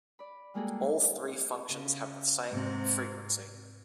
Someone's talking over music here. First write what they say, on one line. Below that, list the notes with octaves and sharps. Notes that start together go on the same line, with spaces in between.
All three functions have the same frequency.
D5 B5
G3 G#3 A#3 F#4 G#4 A4
C#3
G#2 C3